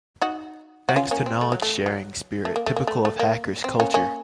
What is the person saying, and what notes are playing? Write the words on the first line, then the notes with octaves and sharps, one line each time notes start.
Thanks to knowledge sharing spirit typical of hackers culture.
D#4 F#4
F#4
C#4 F4
A#3 C#4
C4
A3
F#3
A3
F#3
A3
A#3
A3
A#3
A3
A3
A#3
C4
A#3 C#4
A#3 C#4